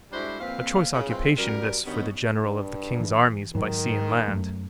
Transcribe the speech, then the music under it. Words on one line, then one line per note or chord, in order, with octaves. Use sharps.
A choice occupation this for the General of the King's Armies by Sea and Land.
G3 G#3 D4 E4 F#4 C5
F2 A#2 C4 B4 F5
C#3
E3 G#3 C4 F4
F#2 G3 A#4
G2 B2 D#3 B3 C#4 D#4
G2
E3
G#2 D#3 F#3
F#2 F#3 A3